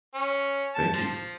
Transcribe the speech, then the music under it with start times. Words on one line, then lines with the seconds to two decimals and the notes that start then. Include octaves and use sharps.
Thank you.
0.14 C#4
0.75 A5
0.94 F3